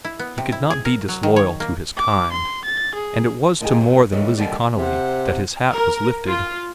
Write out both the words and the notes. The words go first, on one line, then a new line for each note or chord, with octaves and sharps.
He could not be disloyal to his kind, and it was to more than Lizzie Connolly that his hat was lifted.
E4
B3
C3
E4
G#4
A#4
F#3
D#3
C#5
A#3
D6
C6
A6
G#4
D3 A#3 D#4 E4 G4 G#4
F#2 A#2
C#3 E3 G3 G#3 A#3
D#2 D3 G3 D5
C3 C5 F#5
A#4
F4